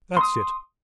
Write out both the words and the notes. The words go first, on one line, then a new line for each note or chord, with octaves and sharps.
That's it.
C6 D#6